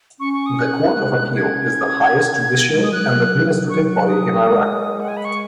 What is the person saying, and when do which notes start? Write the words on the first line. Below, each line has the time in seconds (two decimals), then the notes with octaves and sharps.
The Court of Appeal is the highest judicial and administrative body in Iraq.
0.19 C#4 C#6
0.33 C#6
0.46 D#6
0.59 F#6
0.92 B3
0.97 G#3
1.17 G#3
1.36 C#4 G#6
2.52 B3
2.72 G#3
2.83 D#6
2.92 F#3 F#6
3.04 G#3
3.12 F#3
3.69 F#3 C#6
3.95 F#6
4.08 D#6
4.43 F#3
4.47 G#3
5.00 F#5
5.08 G#5
5.17 B5
5.25 C#6